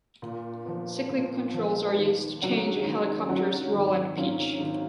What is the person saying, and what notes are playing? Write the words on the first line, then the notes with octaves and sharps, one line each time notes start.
Cyclic controls are used to change a helicopter's roll and pitch.
A#2
F3 B3
A#2
F3 B3
D#2
C#3 F#3 C#4 F#4
D#2
C#3 F#3 C#4 F#4
G#1
G#2 F#3 C#4 F4
G#1